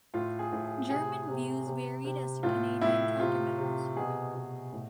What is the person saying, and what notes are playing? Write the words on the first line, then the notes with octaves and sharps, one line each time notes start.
German views varied as to Canadian countermeasures.
A2 F4
G#4
A2
G#4
C3 G#4
C3
C3
C3
A2 F4
A2 E4
C3 F4
C3
B2 G#4
B2
A2